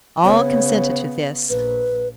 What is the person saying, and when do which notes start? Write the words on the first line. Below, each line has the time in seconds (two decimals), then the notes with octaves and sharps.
All consented to this.
0.24 C#3 B3 C#5
1.50 A#1 B4